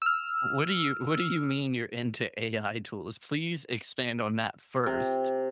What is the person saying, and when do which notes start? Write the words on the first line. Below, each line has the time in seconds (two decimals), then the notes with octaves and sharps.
What do you what do you mean you’re into AI tools? Please expand on that first.
0.02 E6 F6
4.86 C3